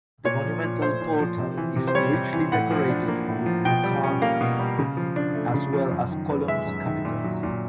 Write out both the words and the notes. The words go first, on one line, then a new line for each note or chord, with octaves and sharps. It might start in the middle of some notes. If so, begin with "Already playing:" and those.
The monumental portal is richly decorated with muqarnas, as well as columns' capitels.
A#2 C#5
F3
A#2
A3 C5
A#2
F3
C3
E3
C3
C5
G3 C#5
C3
E3
A2 F#5
F3
D4
A#3
A2
F3
B2 G5
G3
C#4
A#3 F5
B2
G3
C#3
F3
D4
A3
C#3
F3
F#2
D#3
B3
G#3 E5
F#2
D#3
A#2
F#3
A#2